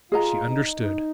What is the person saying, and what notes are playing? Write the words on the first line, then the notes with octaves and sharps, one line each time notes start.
She understood!
F4 G#4 D#5 A#5
D#4
D#4